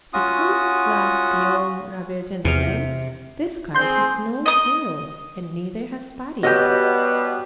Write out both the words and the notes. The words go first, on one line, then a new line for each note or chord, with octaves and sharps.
"Because," laughed the old rabbit gentleman, "this kite has no tail and neither has Buddy."
C#4 F4 F#4 D#6
E2 C3 F6
C4 G#4 C6 G6
D#5 D#6
B2 G3 B3 F#4 G4 C#5 D#5